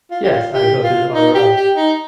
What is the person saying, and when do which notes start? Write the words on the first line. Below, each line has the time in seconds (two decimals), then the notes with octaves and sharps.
Yes, I got it all right.
0.11 F4
0.24 G4
0.32 F4
0.53 G4
0.83 F4
1.14 D#4
1.35 G4
1.56 G4
1.76 D#4